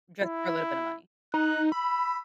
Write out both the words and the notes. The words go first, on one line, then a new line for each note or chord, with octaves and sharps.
just for a little bit of money.
E4
D#4 F#6
B5 E6